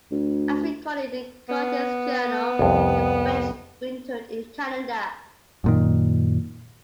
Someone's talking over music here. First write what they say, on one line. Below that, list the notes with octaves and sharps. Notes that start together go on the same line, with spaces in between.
As recorded in Cartier's journal, the French wintered in Canada.
D2
B3
C2 F2
F#2 A#2 D#3